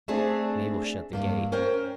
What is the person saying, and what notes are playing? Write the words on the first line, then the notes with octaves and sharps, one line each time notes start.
Mabel shut the gate.
A3 C4 D4 G#4 A4
G2 A#3
C#4 A#4 C5 G5